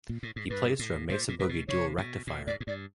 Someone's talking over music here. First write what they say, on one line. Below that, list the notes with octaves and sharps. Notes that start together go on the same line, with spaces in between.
He plays through a Mesa boogie Dual Rectifier.
A#2
A2
G#2
G2 B4
A2
A#2 C5
A#2
A#2 B4
B2
C3 C#5
B2
A#2
G#2 D5
G#2
G2 D5